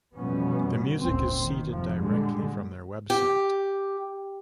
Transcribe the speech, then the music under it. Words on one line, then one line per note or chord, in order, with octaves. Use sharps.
The music is seeded directly from their website.
F2 B2 E3 G3 B3 C#4
F#1 D2 A#2 C#3 C4
D#3
F2 C3 F3
A#2 D3 G3 G#3
G4